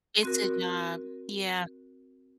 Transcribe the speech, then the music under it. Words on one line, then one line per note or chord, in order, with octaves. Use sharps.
It's a job. Yeah.
C4 F#4 A#4